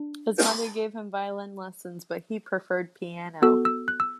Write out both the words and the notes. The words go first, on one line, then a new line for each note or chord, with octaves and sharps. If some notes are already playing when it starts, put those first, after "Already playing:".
His mother gave him violin lessons, but he preferred piano.
Already playing: D4
B3 F#4 A4 E6
E6
F#6
E6